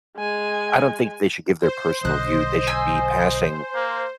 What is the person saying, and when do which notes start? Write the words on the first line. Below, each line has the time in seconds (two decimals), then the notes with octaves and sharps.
I don't think they should give their personal view, they should be passing
0.18 G#3 G#5
1.62 C5
2.05 B1 D3 D#5 F#6
2.67 G#5 E6
3.75 A#3